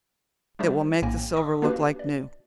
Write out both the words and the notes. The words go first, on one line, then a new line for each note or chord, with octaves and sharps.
It will make the silver look like new.
G3 A3 D4 G4 C5
A#1 A2 A#3 G5 G#5 A#6
D#5 C#6 D#6
A#3 D4 F#4 G4 B4
D5